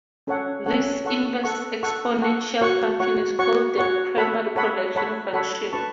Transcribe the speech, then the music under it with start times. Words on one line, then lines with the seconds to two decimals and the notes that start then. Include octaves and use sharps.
This inverse exponential function is called the primary production function.
0.27 C#4 A4 C#5 F#5
0.66 C#4 A4 C#5 F#5
1.05 A4 F#5 C#6
1.44 A4 F#5 C#6
1.83 A4 F#5 C#6
2.22 A4 F#5 C#6
2.61 F#4 C#5 F#5 C#6
3.00 F#4 C#5 F#5 C#6
3.39 F#4 C#5 F#5 C#6
3.78 F#4 C#5 F#5 C#6
4.17 A4 C#5 F#5 B5
4.56 A4 C#5 F#5 B5
4.95 A4 C#5 F#5 B5
5.33 A4 C#5 F#5 B5
5.73 B4 A5 C#6